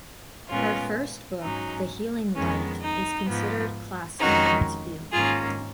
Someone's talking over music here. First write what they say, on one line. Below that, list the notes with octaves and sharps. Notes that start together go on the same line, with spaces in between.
Her first book, "The Healing Light", is considered classic in its field.
A#2 G#3 B3 C#4 F4
G#2 F#3 C#4 D#4
F2 D#3 G#3 B3 C#4
D#4
G#2 F3 B3
F2 D#3 G#3 C#4 D#4 F#4
G#2 D#3 A#3 C#4 F4 G#4